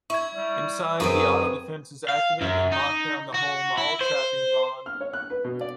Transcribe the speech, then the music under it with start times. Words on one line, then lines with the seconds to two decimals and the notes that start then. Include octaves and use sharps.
Inside the auto-defenses activate and lock down the whole mall trapping Vaughan.
0.10 E4 C#6 G#6
0.35 G3
1.00 F#2 C4 G#4 B4 D#6
2.09 F5
2.41 F#2
2.72 D#4
3.34 F#4
3.77 E4
4.01 C5
4.86 F6
5.01 C#5
5.13 F#6
5.30 B4
5.44 B2
5.61 D5